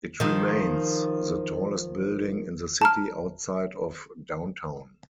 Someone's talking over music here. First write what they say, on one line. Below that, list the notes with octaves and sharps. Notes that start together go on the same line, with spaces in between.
It remains the tallest building in the city outside of Downtown.
D#3 F3
A5 A#5 F6